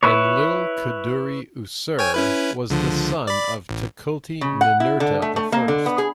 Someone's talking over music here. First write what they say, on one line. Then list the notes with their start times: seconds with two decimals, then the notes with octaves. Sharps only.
Enlil-kudurri-usur was the son of Tukulti-Ninurta the First.
0.03 E4 B4 C#5
1.99 C#5 G5 G#5
2.14 C#4 E4 B4
2.70 C#2 D3 F3
3.27 D5 B5
3.69 A1
4.41 C#3
4.61 F#5
4.80 E4
5.00 D3
5.22 A3
5.36 A3
5.52 A#3
5.68 D3
5.86 B3
5.98 G#4